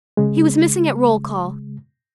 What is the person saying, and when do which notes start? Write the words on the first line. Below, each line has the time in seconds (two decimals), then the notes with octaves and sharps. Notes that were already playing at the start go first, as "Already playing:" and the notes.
He was missing at roll-call.
0.17 C#3 G#3